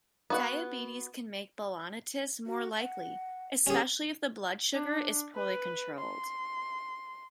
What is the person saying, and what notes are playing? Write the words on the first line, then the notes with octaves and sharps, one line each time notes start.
Diabetes can make balanitis more likely, especially if the blood sugar is poorly controlled.
B3 F#4 F#5
F#4
F#5
C#4 G4 G#4
D4
B4
C6